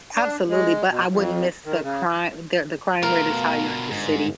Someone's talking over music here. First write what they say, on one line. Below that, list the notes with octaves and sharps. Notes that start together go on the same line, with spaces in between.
Absolutely, but I wouldn't miss the crime the the crime rate is higher in the city,
D4
G#3
B2
F2
D#3
C#3
B2 A3 B3 F4 A#4 F5
G1 G#2